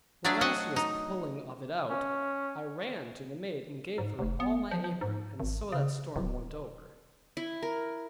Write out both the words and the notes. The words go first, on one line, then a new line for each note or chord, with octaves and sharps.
But while she was pulling of it out I ran to the maid and gave her all my apron, and so that storm went over.
F#3 A3 D4 G#4 D5
F#4 D#5 F#5
D#4
C#4
G#2
F1
B3
F3
F3
G#2
G#1
C#3
D1
E4
A#4